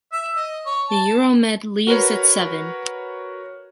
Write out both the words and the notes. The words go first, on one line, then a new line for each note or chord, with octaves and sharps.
The Euromed leaves at seven.
E5
D#5
C#5
A5
F#4 A#4 B4 C#5